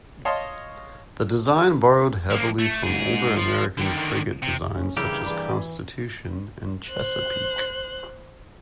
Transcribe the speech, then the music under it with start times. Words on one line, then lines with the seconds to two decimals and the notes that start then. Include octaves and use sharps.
The design borrowed heavily from older American frigate designs such as "Constitution" and "Chesapeake".
0.25 C#5 D#5 F5 A5 C6 C#6
2.31 F3 A#3
2.59 A3
2.83 G#2 G#4
3.36 F3
3.78 D3 D#3
4.43 C3
4.75 C#4
4.97 G2 C#3 E3 A#3 E4 G4 G#4 E6
5.26 E3 G#4 D5 B5
6.88 C5 F#6